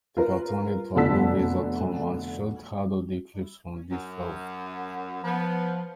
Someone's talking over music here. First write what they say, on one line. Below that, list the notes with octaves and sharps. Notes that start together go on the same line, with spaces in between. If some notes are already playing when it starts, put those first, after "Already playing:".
The Cartoon Network "Groovies" Atom Ant short had audio clips from this film.
F4 A#4 B4
F1 B2 D3 A5 E6 B6
F#2
F3 B3